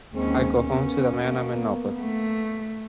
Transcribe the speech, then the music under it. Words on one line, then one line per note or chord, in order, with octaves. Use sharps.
I go home to the man I'm in love with.
D#2 G#3 C4 C#4
A#3 B3 C#4
A3